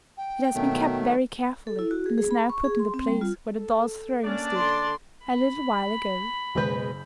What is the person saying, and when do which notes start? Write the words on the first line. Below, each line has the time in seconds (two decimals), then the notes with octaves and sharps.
It has been kept very carefully, and is now put in the place where the doll's throne stood a little while ago.
0.18 G5
0.55 B2 D#3 F#3 A3
1.67 A4
1.79 E4
1.91 F#4
2.06 G#4
2.18 G#4
2.31 B5
2.49 C#6
2.64 G#4
2.79 C6
2.94 C4
3.08 G3
3.21 F4
3.53 A4
4.24 A#3 C#4 D4 D5
4.57 D3 C6
5.25 B5
6.55 F#1 B2 G#3 B4 G6